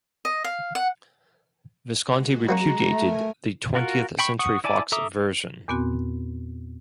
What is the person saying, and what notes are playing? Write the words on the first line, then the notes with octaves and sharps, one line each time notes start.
Visconti repudiated the Twentieth-Century Fox version.
D#5
F5
F#5
G#3 F#4
F#3 A#3 C#4 A#5
A3 A#4 G#5
F4 F#4 A#4
G5 B5 C#6
F#5 C#6 D#6
E4 D5 G#5 A5 D6
A4 E5 A#5 D6 D#6
E2 A#2 B3 C4 F#4 C6